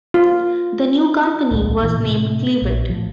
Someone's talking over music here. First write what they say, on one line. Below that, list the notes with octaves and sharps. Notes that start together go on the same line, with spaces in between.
The new company was named Clevite.
F4
D1 B1
A#2 E3
A2 C3
A#1
A2 F3